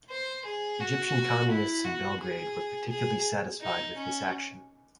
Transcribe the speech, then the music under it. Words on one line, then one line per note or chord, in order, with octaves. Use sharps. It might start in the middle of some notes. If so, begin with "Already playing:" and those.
Egyptian communists in Belgrade were particularly satisfied with this action.
C5
G#4
F#4
E4
F#4
G#4
G#4
D#4
C#4